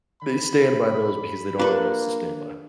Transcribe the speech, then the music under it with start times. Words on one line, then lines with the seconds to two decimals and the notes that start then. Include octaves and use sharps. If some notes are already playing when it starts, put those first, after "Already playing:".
they stand by those because they don't know what else to stand by.
0.21 B5
1.59 A#3 D4 F4 G4 B4